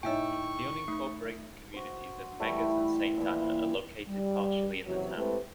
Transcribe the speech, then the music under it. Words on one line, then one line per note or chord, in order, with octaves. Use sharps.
The unincorporated communities of Meggers and Saint Anna are located partially in the town.
A2 D#4 C#5 E5 G5 G#5 C#6 E6
A3 D#4 D#6
F#4 C5
E3 G3 A3 E4
A#2 E3
G3
F#1 C3 E3 F#3
G#3 A3 C4 E4 G4 B4